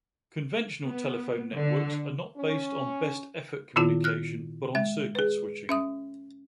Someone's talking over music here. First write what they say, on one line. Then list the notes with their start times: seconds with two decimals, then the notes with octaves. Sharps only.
Conventional telephone networks are not based on best-effort communication, but on circuit switching.
0.84 B3
1.55 D3
2.37 C#4
3.76 A#2 D#3 B3 E4 F4
4.04 F6 F#6
4.75 G#3 E5
5.15 G#4 B4
5.69 C#4 E5 D#6